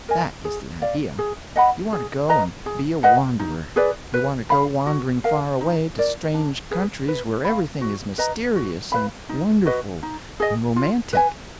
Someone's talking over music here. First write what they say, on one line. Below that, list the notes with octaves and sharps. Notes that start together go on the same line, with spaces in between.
That is the idea; you want to go and be a wanderer; you want to go wandering far away to strange countries where everything is mysterious and wonderful and romantic.
A#4 D#5 G#5
G#4
D5 F5
G#4
D#5 F#5 B5
G#4
B4 D#5 A#5
G#4
B4 D#5 F#5
D#4
G#4 B4 D5
B4
F5 B5
F#4
A#4 F5
D#4
A#4 D5
D4
G#4 B4
B4
F5 B5
F#4
B4 D#5 A#5
F#4
B4 F5 B5
D#4
F#4 B4 D#5
D#4
G#4 D#5
F4
B4 D#5 G#5